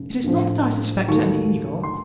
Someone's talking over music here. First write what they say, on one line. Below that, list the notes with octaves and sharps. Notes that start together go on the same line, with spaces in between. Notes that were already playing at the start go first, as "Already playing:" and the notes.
It is not that I suspect any evil.
Already playing: F1 C#3
A#1 A2 F3
D#2 D#3 F#3 A3 C#6
C6